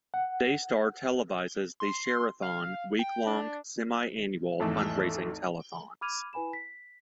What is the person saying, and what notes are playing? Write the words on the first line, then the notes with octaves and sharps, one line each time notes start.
Daystar televises the Sharathon, week-long, semi-annual fundraising telethons.
F#5
C6
F5
G5
D4
G#1 E2 A3 A4
B5 D6 F6 G#6 D#7 F7
E4 B4 G#5 B5 E7
B6